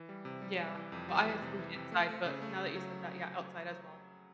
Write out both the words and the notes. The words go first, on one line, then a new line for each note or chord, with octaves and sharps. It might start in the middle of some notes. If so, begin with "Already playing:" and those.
Yeah, well, I assumed inside, but now that you said that, yeah, outside as well, mhm.
Already playing: E3
G3
C3
G3
G3
E3
F2
G3
E3
C3
E3
C3
A3
A3
C#3
A3
C#3
F#3